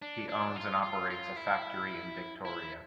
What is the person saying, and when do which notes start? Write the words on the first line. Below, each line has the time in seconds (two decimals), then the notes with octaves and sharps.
He owns and operates a factory in Victoria.
0.02 D4
0.29 D4
0.56 F4
0.83 F4
1.10 F4
1.36 E4
2.45 E4